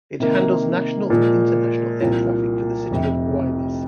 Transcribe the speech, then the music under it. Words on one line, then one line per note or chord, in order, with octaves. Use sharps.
It handles national and international air traffic for the city of Guaymas.
C3 D#3 A#3
A#2 F3 G#3
C2 A#2 F3
F1 F2 C3